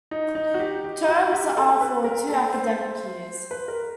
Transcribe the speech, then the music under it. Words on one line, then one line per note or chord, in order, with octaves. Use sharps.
Terms are for two academic years.
D#4
D#4
F#4
G4
G4
F#4
G4
A4
B4
A#4
A4
C5
B4
A#4